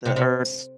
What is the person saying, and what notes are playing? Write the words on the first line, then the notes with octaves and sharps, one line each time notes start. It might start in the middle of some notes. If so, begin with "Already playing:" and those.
the Earth's
C3
C3